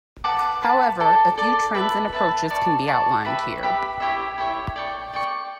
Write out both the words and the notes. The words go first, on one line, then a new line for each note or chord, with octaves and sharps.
However, a few trends and approaches can be outlined here.
B4 F#5 A5 D6
B4 F#5 A5 D6
A4 D5 A5 D6
A4 D5 A5 D6
B4 E5 A5
B4 E5 A5
D5 A5 C#6
D5 A5 C#6
G4 B4 E5 B5
G4 B4 E5 B5
E4 G4 C#5 E5
E4 G4 C#5 E5
D5 G5 C#6
D5 G5 C#6